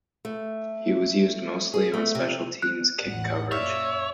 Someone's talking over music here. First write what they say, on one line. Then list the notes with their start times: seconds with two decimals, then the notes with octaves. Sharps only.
He was used mostly on special teams kick coverage.
0.25 A3
1.74 G#4
1.94 A3
2.15 C3
2.62 F#6
3.06 A1 E2 F#5
3.52 F#2 A#2 C#5 D5 E5 F5